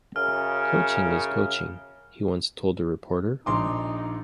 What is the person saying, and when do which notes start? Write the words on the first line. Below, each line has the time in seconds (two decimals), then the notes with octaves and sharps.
"Coaching is coaching", he once told a reporter.
0.16 F#2 C#3 F6
3.46 A#1 D#4 C6 D6